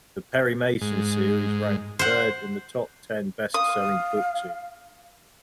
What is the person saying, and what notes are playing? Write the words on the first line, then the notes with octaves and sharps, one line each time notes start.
The Perry Mason series ranks third in the top ten best selling book series.
G#2
C5 F#5
F5 D#6